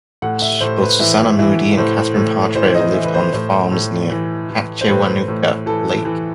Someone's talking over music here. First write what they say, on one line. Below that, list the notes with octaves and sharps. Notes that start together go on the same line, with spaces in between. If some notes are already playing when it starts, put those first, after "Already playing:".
Both Susanna Moodie and Catharine Parr Traill lived on farms near Katchewanooka Lake.
A2 F#5
E5
A2 C5
B4
E3 E5
E3 E5
A2 C5
A2
E3 C5
D#5
E3 E5
B4
C5
A2 C5
A2
E3
E3
C5
A2 B4
A2
E3 A4
E3